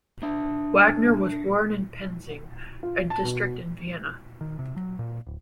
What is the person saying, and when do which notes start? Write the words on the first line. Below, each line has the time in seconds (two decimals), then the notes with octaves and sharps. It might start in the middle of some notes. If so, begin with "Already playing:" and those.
Wagner was born in Penzing, a district in Vienna.
0.23 D4 E5
2.83 F4
3.10 A5
3.23 B2
4.41 D#3
4.59 C3
4.76 F#3
4.99 A#2
5.27 D1